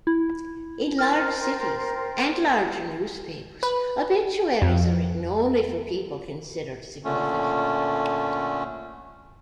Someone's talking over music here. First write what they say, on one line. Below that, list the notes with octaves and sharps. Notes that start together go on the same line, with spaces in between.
In large cities and larger newspapers, obituaries are written only for people considered significant.
E4
A#4 C5 G5 F6 A6
B4
F2
A#2 D3 A3 C#4